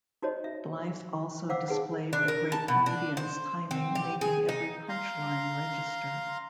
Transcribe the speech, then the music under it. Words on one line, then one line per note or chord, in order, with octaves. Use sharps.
Blythe also displayed a great comedian's timing making every punch line register.
D#4 F#4 C5 C#5 D#5
E5
C5 F5 F#5 D6 E6
D#4 G#4 B4 F#5
D4
A#4
A5
B2
D4
C5
C4
G4
G#4
D#4
F5 A#5 C6